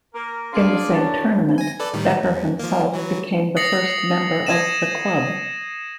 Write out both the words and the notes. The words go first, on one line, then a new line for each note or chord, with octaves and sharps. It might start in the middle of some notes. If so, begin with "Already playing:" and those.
In the same tournament, Becker himself became the first member of the "club".
A#3 A#4
D4 G#4 D5 F5 C6
F#2 A5
G#5 A#6
A4 B4 D5
A2 D#3 G3
E2
F3 A#3
E3 F#3
D#6 A6 A#6 C7 C#7 F#7
G#6 A#6 D#7 E7